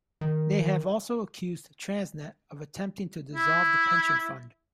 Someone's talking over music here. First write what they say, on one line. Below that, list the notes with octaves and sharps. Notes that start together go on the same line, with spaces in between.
They have also accused Transnet of attempting to dissolve the pension fund.
D#3
E4